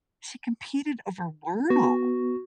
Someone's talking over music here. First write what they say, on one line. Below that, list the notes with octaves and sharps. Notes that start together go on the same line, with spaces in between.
she competed over Wordle,
B3 F#4